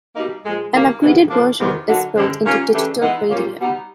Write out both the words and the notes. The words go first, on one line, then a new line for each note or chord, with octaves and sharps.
An upgraded version is built into digital radio.
B2 G3 A#3 D#4
A#2 F3 G#3
D#3 G3 A#3
C3 E3 G#3 B3
A2 F3 A#3 D4
E2 C3 D#3
D3 F#3 A#3 D#4 F#4
G2 D3 F3 G#3 C#4
D#3 G3 A#3 C#4 F4
C#3 E3 A3 D4 G4
E3 G#3 B3 D#4
A#2 G3 A#3 C#4 F4
B2 G3 B3 D#4